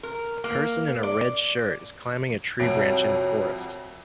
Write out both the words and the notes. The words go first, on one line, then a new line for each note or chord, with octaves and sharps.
A person in a red shirt is climbing a tree branch in a forrest.
A#4
A#3
D5
C2 F2 F#3 D7